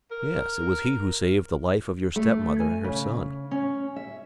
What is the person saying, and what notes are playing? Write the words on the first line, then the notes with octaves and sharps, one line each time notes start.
"Yes; it was he who saved the life of your step-mother and her son."
A#4
A3
G#5
C#3
C#4
E5